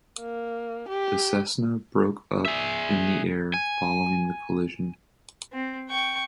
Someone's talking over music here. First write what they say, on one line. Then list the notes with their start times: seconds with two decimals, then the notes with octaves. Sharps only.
The Cessna broke up in the air following the collision.
0.20 A#3
0.89 G4
2.45 G#4 E5
3.54 G#5
5.52 C4
5.89 G5 C#6